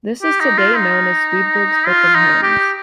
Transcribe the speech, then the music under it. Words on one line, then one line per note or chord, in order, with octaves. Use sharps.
This is today known as Swedberg's Book of Hymns.
G4
D#4
F4
D#4
F4
D#4
G4